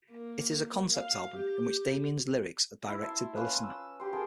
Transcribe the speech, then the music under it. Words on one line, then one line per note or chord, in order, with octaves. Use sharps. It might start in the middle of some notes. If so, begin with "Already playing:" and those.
It is a concept album in which Damian's lyrics are directed the listener.
A#3
F5
G4
E4
E5 A5 C6
C#4 F4 B4
E6
G4 C6
G#4 A#4 G5 A5